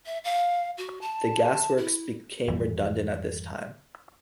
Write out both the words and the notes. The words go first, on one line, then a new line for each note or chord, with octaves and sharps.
The gas works became redundant at this time.
E5
F5
F#4
A5
E4
G#1 F2 E3 G3